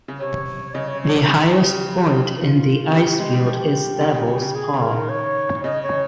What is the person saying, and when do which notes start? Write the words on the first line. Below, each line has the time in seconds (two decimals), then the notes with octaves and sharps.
The highest point in the icefield is Devils Paw.
0.08 C#3
0.19 C3 C#5
0.74 C#3 D#5
0.88 C#5
1.02 C#5
1.15 A#4
1.28 C#3
1.56 G4
2.37 D#3 F4
2.92 C#3 G4
3.06 C#3
3.19 G#3
3.33 G3
3.46 F3
4.01 C#3
4.14 C#3
4.42 C#3
4.55 G#4
4.73 C#3
4.82 A#4
4.91 D#3
5.09 C#5
5.63 C#3 D#5
5.82 C#5